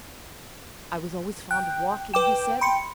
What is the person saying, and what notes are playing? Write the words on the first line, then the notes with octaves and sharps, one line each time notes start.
"I was always fond of walking," he said.
G5 F#6
B4 G5 D6 E7
B5 C6 C#7